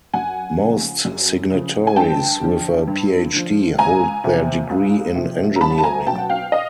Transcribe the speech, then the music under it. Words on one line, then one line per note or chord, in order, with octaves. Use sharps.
Most signatories with a PhD hold their degree in engineering.
F#2 F#5 G#5
C#3 F3
F#2
C#3 F3
G#5
G2 G5 A5
D3 F3
G2
D3 F3
C#2 G#5 A#5
C3 F3
C#2
C3 F3
A#5
C2 A5 B5
A5
G#5 A#5
B2 F#3 G5 A5
F#5
F5 G5
D#5 F5